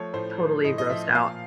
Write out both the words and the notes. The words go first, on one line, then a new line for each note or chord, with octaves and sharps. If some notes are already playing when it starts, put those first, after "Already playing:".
totally grossed out.
Already playing: F3 A3 C#5
A2 C5
F3
A2 D#5
D#5
F3 E5
A#2 F5